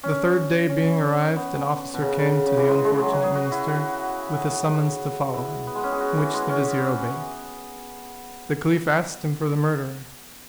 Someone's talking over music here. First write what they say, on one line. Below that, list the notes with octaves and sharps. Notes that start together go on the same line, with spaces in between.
The third day being arrived, an officer came to the unfortunate minister, with a summons to follow him, which the vizier obeyed. The caliph asked him for the murderer.
C#4
C#4
B3
B2
C#3
C#3
C#3
E3
G#3
G#3
F#3
F#3
G#4
F#4
E4
F#4
G#4
F#4
E4
B3
G#3
C#4
G#4
F#4
E3
G#3
C#4